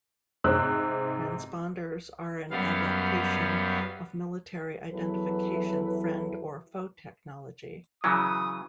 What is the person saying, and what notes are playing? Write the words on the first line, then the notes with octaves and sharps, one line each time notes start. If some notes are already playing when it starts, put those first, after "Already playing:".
Transponders are an adaptation of military identification friend or foe technology.
G#2 C3 C5 E6 F#6
F#2 G3 B3 C#4 F5
E2 E3 F#3 E4 A4 B4
C#3 E3 F#3 D#6